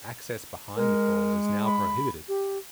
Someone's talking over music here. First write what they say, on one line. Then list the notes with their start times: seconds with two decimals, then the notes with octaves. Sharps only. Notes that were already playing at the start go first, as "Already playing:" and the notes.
Access behind the falls is now prohibited.
0.76 G#3 A#4
1.65 B5
2.28 G4